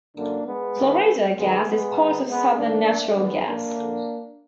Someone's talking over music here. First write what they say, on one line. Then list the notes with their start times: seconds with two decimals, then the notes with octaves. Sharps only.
Florida Gas is part of Southern Natural Gas.
0.16 F#2 D3 A#3 D4
0.46 G#3 B3
0.77 G#2 D#3
1.37 F2 D#3 G#3 B3
1.67 G#3 B3
1.97 G#2 D#3
2.27 G#3 B3
2.57 G#2 D#3 A#3 D4
3.17 F2 D#3 G#3 B3
3.47 A#3 D4
3.77 F2 D3